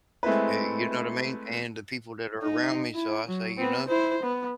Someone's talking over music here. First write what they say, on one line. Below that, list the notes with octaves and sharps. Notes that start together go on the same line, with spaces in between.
eh, you know what I mean? And the people that are around me, so I say, you know,
G#3 A3 C4 E4 B4
D#4
E4
F#3
B3 C4
E4 C5
B3